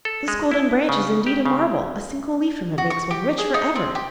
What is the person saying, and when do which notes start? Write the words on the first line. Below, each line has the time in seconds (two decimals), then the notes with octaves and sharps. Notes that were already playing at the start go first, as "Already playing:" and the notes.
This Golden Branch is indeed a marvel, a single leaf from it makes one rich for ever.
0.05 A4
0.28 G#3
0.51 E4
0.89 C#3
1.27 G4
1.46 C#3
2.78 F#4
2.90 C#6
3.11 G4
3.38 G#4
3.54 D#4
3.76 C4
3.95 G4